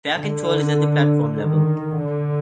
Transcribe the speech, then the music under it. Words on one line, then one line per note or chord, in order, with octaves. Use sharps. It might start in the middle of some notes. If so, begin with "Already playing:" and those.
Fare control is at the platform level.
D3
D#3
D3